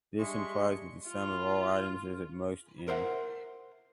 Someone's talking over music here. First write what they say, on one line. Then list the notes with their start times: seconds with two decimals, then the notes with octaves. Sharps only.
This implies that the sum of all items is at most "m".
0.19 G3 G#3 D4 E5 C6 C#6
1.08 F4
2.88 A#4 C5 E5 F#5